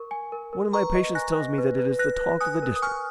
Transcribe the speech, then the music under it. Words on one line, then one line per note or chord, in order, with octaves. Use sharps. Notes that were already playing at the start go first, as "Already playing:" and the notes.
One of my patients tells me that it is the talk of the district.
Already playing: A#4 C#6
G#5
A#4
A#4
B4 A#5 C#6
D#5
G#5 F#6 A#6
D#5
B4
B4
B4 F#6 A#6
B4
G#5 D#6 F#6
A#4
D#6
G#5 C#6 F6